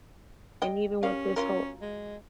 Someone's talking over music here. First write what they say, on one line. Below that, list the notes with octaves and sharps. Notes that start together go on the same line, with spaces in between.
and even with this whole
D#5 G5
C#4 G4 A#4 F5
F#3 C#4 F4 A#4
G#3